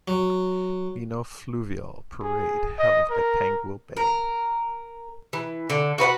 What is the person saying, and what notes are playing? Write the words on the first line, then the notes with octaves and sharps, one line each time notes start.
Nino Fluvial Parade held at Panguil Bay.
F#3
G#4
D#5
A#4
A#4
E3
D3
F#4 B4 C#5 F#5